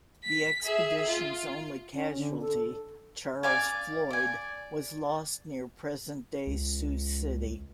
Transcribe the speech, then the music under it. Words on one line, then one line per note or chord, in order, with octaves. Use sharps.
The expedition's only casualty, Charles Floyd, was lost near present-day Sioux City.
B6
G#4 E5
F4
C#4
D3
A4
D5 F5 G#5
D5 G#5
C#2